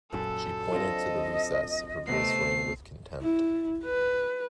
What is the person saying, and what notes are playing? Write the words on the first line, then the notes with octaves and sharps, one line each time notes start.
She pointed to the recess; her voice rang with contempt.
F#2 A#2 A4 E6
C4 D4 F4 D#5
C3 A3 B3 C7
E4
B4